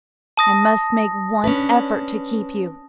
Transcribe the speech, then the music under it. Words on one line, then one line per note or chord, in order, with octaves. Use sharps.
I must make one effort to keep you....
A5 D#6 A#6
C#4 D4 B4